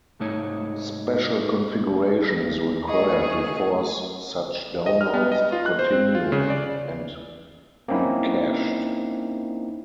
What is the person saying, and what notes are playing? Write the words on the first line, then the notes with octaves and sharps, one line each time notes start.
Special configuration is required to force such downloads to continue and be cached.
C2 G#2 A3 D#4 C#5
A3 G#4 D#5 C#6
D#5
F6
B3
D#5
F4
F#6
C5
C4
F4
C#3
D5
A#3 C4 C#4 D#4 E4